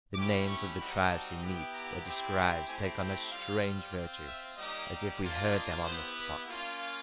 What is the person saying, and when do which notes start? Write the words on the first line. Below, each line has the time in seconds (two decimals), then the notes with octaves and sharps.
The names of the tribes he meets or describes take on a strange virtue, as if we heard them on the spot.
0.15 A3 C#4 E4 G4 D6
0.46 C#6
0.78 G3 C4 D#4 F#4 B5
1.10 A5
1.41 B3 E4 G4
1.73 A#5
2.05 C4 E4 G4
2.68 A3 C4 E4 G4 G#5
3.00 G5
3.31 G3 C4 F4 F5
3.94 C4 F4
4.26 E5
4.57 G3 A#3 D#4 G4 D#5
5.21 A#3 D4 F4
5.52 D#5
5.84 B3 E4 G4 C5
6.16 B4
6.47 A#3 C#4 F4